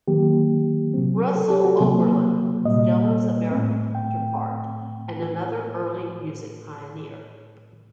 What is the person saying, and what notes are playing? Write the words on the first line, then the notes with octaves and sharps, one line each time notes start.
Russell Oberlin was Deller's American counterpart, and another early music pioneer.
D#3 F#3 A#3 G4
C3 F#3 C4
A4
G4
F#4
C3 F#3 A#3
A#2 G3 A#3 D#5
A2 A3 C4
G5